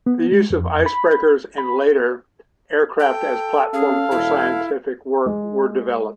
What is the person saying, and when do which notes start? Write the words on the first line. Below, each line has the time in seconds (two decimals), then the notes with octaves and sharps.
The use of icebreakers and, later, aircraft as platforms for scientific work were developed.
0.06 B3
0.32 G#3
0.50 F2
0.86 B5
1.58 B5
3.00 A4 G5
3.74 C#4 G#4 F5
4.11 E1 E4
5.26 G#3